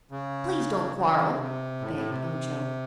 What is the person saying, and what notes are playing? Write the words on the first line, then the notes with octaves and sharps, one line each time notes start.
"Please don't quarrel," begged Ojo.
C#3
C#3
E3
D#3
C#3
C3
A2
A2
C3